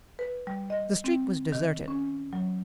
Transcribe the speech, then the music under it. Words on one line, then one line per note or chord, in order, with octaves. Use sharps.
The street was deserted.
B4
G3
D#5
C4
D#3
C#4
F#3